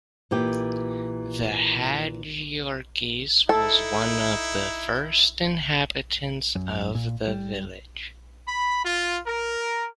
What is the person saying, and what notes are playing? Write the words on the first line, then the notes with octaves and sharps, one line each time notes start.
The Hadjiyiorkis was one of the first inhabitants of the village.
A#2 E3 G4
D#4 E4 A4
F#2
A#2
G3
B5
F4
A#4